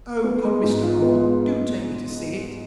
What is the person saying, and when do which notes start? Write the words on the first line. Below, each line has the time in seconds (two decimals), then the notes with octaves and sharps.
'Oh! good Mr. Mole, do take me to see it!'
0.24 B3
0.45 G#3
0.63 G#2
0.83 F4
1.02 B3
1.22 G#3